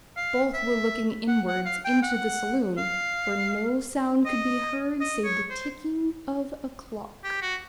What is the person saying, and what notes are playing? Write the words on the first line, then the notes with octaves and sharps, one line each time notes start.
Both were looking inwards--into the saloon, where no sound could be heard save the ticking of a clock.
F5
E5
F#5
F#5
F5
G5
F#5
F5
D#5
D#5
C#5
C5
G4
F#4